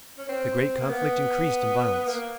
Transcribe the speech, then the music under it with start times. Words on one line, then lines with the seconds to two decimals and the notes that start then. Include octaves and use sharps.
The great conflict increased in violence.
0.18 C#4
0.28 C4
0.80 A#3
0.89 B3
2.07 A#3